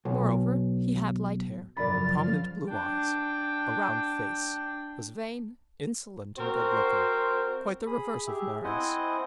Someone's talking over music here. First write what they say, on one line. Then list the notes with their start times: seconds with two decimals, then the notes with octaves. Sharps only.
Moreover, he had light hair, prominent blue eyes, a round face, was vain, insolent and good-looking; quite the reverse of Marius.
0.05 B1
1.77 F#2 C#3 F3 A#4 D5 B5 F6 A6
2.68 D4 G5
6.39 C4 F#4 A#4 C5
7.86 G#4 B5 D#6
8.27 G4 G#4 E5
8.64 C4 E4 C5 D#5 F#5 G#5